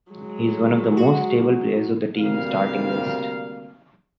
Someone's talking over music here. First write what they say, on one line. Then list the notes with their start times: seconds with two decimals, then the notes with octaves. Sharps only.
He is one of the most stable players of the team starting list.
0.12 F#3 G#3
0.97 F#4
2.19 D2 C3 G3 A#3 A#4 F5